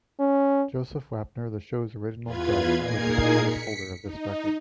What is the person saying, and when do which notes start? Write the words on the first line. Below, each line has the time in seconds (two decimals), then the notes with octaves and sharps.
Joseph Wapner, the show's original judge, was the previous holder of this record.
0.19 C#4
2.22 E2 F4 B4 G#6
2.77 A#2 D#4 G#4 A#4 G#6 C7
3.40 B6 C#7
4.02 D#4